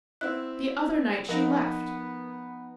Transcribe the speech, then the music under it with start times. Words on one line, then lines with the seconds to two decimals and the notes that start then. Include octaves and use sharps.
"The other night she left."
0.21 C4 E4 F#5 F#6
1.29 F3 B3 D#4 A#4 F#5 A#6